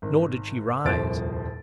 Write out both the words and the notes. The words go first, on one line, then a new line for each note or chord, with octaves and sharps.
Nor did she rise.
G#1
D#1 C2 F2 C5 A6 D7